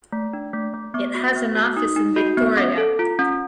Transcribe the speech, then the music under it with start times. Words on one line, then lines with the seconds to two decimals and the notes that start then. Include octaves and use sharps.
It has an office in Victoria.
0.12 A3
0.33 D4
0.53 A3
0.74 A3
0.94 B3 D6
1.15 F#4
1.36 B3
1.55 F#4
1.77 D#4 D#6
1.96 D#4
2.16 F#4
2.37 B3
2.57 C#4 D6
2.78 A4
2.99 F4
3.19 C#4